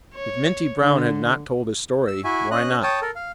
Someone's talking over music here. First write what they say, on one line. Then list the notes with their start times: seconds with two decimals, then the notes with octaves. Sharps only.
If Minty Brown had not told his story, why not?
0.15 C#5
0.82 D3
2.07 E6
2.24 E4 F#4 E5 G#5
2.51 C#4 D#5 F#6
2.83 C#5 G5 A5 D#6
3.01 A4 A#4
3.16 F5